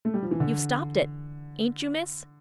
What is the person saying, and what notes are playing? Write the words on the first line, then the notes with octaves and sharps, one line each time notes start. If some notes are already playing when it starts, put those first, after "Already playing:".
"You've stopped it--ain't you, miss?"
A3
G3
F3
E3
D3